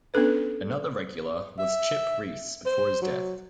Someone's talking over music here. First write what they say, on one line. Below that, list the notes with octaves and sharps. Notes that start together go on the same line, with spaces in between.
Another regular was Chip Reese before his death.
B3 C#4 D4 A4 B4
E5
C5
F#3